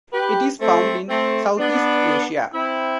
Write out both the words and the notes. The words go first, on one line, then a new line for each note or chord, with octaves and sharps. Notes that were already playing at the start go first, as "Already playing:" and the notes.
It is found in Southeast Asia.
G4 B4
A3 C4
A3 C4
B3 D4
C4 E4